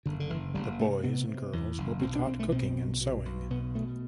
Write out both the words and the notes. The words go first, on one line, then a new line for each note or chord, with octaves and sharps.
The boys and girls will be taught cooking and sewing.
F#1 D3
D3
F#1 E3
F#1 G3
C3 A3
C3 B3
C3
E2
F#1
B1 C4
D4
B1 C4
A3
B2 C4
B1
B2
B1
B2 B3
B2 A3